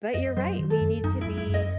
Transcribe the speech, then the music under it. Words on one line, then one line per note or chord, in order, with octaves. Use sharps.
But you're right. We need to be,
F#2 D#5
F#3 C5
D#3
A4
F#2
F#2 D#4
E4
F#2
E4
F#2 D#5